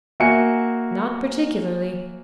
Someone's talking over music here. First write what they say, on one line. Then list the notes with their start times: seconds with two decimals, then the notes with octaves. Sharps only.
"Not particularly."
0.20 A#3 F#4 E5 G#5 C#7